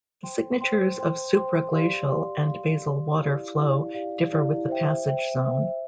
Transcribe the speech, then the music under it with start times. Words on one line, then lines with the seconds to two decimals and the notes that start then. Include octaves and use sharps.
The signatures of supraglacial and basal water flow differ with the passage zone.
0.23 C5 G5 C6
0.61 C5 G5 C6
0.97 C5 G5 C6
1.35 C5 G5 C6
1.72 G4 D5 F5 C6
2.09 G4 D5 F5 C6
2.46 G4 D5 F5 C6
2.83 G4 D5 F5 C6
3.20 E4 G4 D5 F5
3.58 E4 G4 D5 F5
3.94 E4 G4 D5 F5
4.33 E4 G4 D5 F5
4.69 C5 E5 G5
5.06 C5 E5 G5
5.44 C5 E5 G5